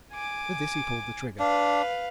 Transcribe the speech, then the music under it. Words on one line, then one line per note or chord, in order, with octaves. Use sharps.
With this he pulled the trigger.
G#5 D6
D4 B4 F5